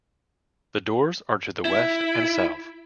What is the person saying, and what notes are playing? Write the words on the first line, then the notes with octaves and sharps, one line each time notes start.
The doors are to the west and south.
E4